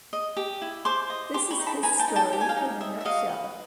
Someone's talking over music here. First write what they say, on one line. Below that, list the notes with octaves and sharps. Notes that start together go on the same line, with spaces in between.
This is his story in a nutshell.
D#5
G4
E4
C5 C6 D6
D#5
G4 C6 D6
B5 C#6
D#4
A5 B5
B4 G#5 A#5
G5 A5
D#4
G5 A5
G4 G5
G#5
F5 G5
D#4
D#5 E5
E5
F#4 D#5 F5
B4